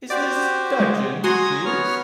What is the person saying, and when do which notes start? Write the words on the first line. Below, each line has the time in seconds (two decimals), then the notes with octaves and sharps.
Is this dudgeon, Jeeves?
0.10 F#4 G4 C5 D5
0.80 G#3
1.24 F#4 G#5 A#5 C6 D#6
1.66 B3 C#5 F6